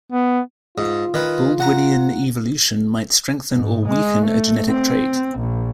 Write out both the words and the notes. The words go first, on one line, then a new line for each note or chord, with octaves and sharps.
Baldwinian evolution might strengthen or weaken a genetic trait.
B3
G#2 F4
D#3 B4
F#5 A#5
G#2
G#3
A3
C4
A#1